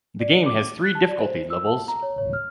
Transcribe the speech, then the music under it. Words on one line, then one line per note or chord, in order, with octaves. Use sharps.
The game has three difficulty levels.
D5
D6
F#6
A5
D5
C5
E6
A5
A#5
C#5
C#5
F6